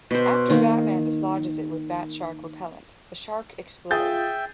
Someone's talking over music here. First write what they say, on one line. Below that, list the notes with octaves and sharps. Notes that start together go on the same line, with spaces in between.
After Batman dislodges it with bat-shark repellent, the shark explodes.
B2 C5
D#3 A#3
F4 G#4 E5 G5 G6 A6